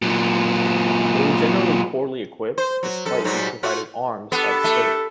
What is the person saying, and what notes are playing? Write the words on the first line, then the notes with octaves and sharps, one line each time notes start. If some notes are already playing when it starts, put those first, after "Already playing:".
They were generally poorly-equipped, despite being provided arms by the state.
A#2 F#3
C5
F#3
F#2 A4
G#2 F#3 G3
A3 F4 F#4
B3 D4 G4 A4
A3